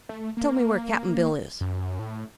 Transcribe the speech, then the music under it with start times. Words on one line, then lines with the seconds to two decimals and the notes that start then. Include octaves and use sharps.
"Tell me where Cap'n Bill is."
0.09 A3
0.37 A#3
1.61 F#2
1.99 A2